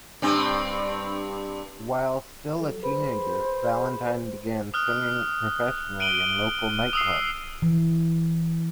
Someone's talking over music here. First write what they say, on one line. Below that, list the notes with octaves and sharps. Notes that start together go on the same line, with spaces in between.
While still a teenager, Valentine began singing professionally in local nightclubs.
G2 C4
F#3 A4
G#4 B4 C5 B5
D#6 F6 F#6
F#6 D7 D#7 F#7 G7
D#6 E6 C7
E3